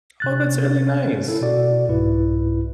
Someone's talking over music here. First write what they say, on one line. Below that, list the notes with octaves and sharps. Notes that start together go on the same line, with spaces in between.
Oh, that's really nice.
C3 F#6 A6
E4 A4
B2 F#4 D5
C2 G#2 E4 B4